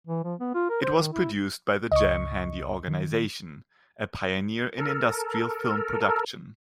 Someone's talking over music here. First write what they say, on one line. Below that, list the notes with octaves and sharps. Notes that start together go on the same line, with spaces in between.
It was produced by the Jam Handy Organization, a pioneer in industrial film production.
E3
F3
B3
F4
A#4
C5
D#3
E4
C#2 D#5 C#6
D#3
A4 A#4